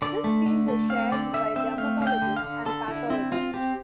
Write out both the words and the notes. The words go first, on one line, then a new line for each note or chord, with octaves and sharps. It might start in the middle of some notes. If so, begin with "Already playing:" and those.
This field is shared by dermatologists and pathologists.
D3 D5
A3
D3
A3
C4 F5
D3 D5
D3 E5
C4 E5
A3 F5
D3 F5
G5
D3
F5
D3
D3 A4
D3 E4
C4 E4
C4 F4
C4 G4